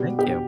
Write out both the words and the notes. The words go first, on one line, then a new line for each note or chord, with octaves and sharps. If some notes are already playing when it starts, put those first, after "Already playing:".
Thank you.
Already playing: B2 G3 G4
G4